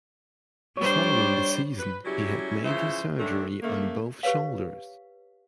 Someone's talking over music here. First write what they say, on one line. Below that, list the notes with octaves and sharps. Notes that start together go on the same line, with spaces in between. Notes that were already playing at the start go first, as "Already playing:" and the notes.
Following the season, he had major surgery on both shoulders.
G3 D4 C5 C#5
B4
C#3 F#3 G3 C#4 E4 G4
C#3 E3 F3 C5 E5
D3 D#3 A3 C#4 D4
C#3 A3 A#3
G4 B4 C#5 F5